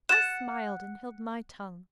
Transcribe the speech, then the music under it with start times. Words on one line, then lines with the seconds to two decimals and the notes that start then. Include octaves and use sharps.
I smiled and held my tongue.
0.09 F#5 A6 E7